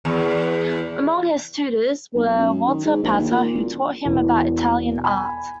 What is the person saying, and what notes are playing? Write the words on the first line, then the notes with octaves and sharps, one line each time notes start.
Among his tutors was Walter Pater, who taught him about Italian art.
E2
B1
F#2
D#3
G#2
A#1
D#2
A#2
E1
E1 E3
G#5 B5